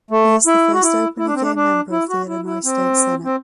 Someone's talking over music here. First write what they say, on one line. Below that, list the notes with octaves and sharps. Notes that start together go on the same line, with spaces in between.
He is the first openly gay member of the Illinois State Senate.
A3
E4
F#4
E4
E4
D4
C4
D4
D4
E4
F#4
E4
E4
C4
C4